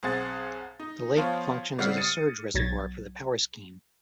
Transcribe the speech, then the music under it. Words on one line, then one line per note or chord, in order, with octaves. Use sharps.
The lake functions as a surge reservoir for the power scheme.
B1 C4 G#4 C5 F#5 A6
D#4
F3 B3 F4 C5 C#5
C#3 G3 C4 F#5 F6 C7
D#6 A6 C#7 D#7
B1 F#3 G#6 A6